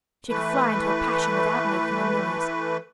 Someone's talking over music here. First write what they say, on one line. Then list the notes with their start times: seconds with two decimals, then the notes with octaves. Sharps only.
She could fly into a passion without making a noise.
0.29 E3 A3 B4